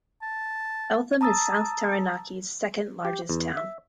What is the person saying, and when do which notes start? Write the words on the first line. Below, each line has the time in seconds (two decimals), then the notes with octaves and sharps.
Eltham is South Taranaki's second largest town.
0.22 A5
1.21 A5 A#5 D#6 E6 A6
3.05 G4
3.29 E2
3.57 E5